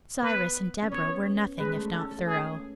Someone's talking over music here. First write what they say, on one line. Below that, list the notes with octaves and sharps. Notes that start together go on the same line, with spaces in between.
Cyrus and Deborah were nothing if not thorough.
B3 B4
C#4
B3 C#5
G#3 B4
A3
C#4 A4
A4
G#4